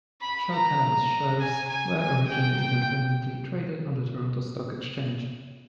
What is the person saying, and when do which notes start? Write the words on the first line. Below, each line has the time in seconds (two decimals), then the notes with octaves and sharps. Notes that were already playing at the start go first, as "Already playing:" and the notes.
Shell Canada's shares were originally independently traded on the Toronto Stock Exchange.
0.21 B5
0.51 A#5
1.39 G#5
1.69 G#5
1.98 G#5
2.27 G5
2.57 G5